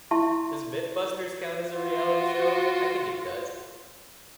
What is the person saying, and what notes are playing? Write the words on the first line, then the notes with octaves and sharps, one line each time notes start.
Does MythBusters count as a reality show? I think it does.
E4 E5 A5 C6 C#6
F4 F#4